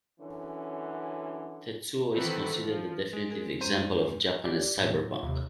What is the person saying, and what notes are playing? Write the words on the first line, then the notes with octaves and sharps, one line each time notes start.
Tetsuo is considered the definitive example of Japanese cyberpunk.
F#2 D3 E3 C#4
D#3 E3 C4 A4 F#5 B5
F3
G#3
G#4 A#4 G#5
F#2 G#3 C#4 C5 D#7
G4 D5
A2 F#3
D#2 C3